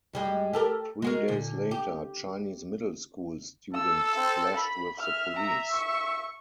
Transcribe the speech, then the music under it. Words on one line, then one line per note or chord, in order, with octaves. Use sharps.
Three days later, Chinese middle school students clashed with the police.
F#2 G3 G#3
G4 A4 A#4
G#3 F#4 A#4
A#2 D3
G4
A4 E6
C4
B5
E5 F6
A#5
C#6